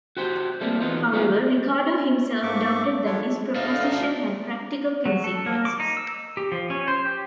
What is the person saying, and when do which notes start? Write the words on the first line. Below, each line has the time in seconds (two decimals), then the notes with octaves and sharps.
However, Ricardo himself doubted that this proposition had practical consequences.
0.17 F#4 G4 C5 G5
0.61 G3 A3 A#3 C4 D4
0.80 E2 E3 B3 D#4 F4
1.12 D#3 G3 B3 E4 F4 G#4
2.43 G#2 A3 A#3 E5 C#6 D6
3.06 D4 F4 A4 C#5 D5
3.55 D2 A3 D#4 F5
5.06 F#3
5.24 A4
5.46 A#3
5.65 D6
5.80 D#4
5.97 E6
6.37 G4
6.52 F3
6.70 C#4
6.88 C5
7.05 G4